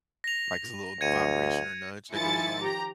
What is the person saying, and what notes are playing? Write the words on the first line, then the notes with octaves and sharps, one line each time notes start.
like, it's a little vibration or nudge that goes on.
A#6 F7
D2 G#6 C#7 D#7
D#3 F3 E4 G#5 A6 C#7
G4 A#5